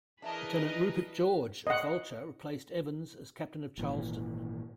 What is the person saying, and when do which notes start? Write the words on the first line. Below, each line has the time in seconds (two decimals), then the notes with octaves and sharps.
Lieutenant Rupert George of "Vulture" replaced Evans as captain of "Charlestown".
0.22 E3 D4 G#4 A#4 B4 D#5 E5 A5
1.67 D#5 F#5
3.78 G#1 A#2 E3